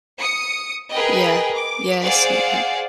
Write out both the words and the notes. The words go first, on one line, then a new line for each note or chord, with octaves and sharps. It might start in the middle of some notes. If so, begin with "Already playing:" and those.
Yeah, yeah, I see that.
D#6 C#7
G#4 A#4 B4 D#5 G5
D6
G#4 C5 D5 F5 F#5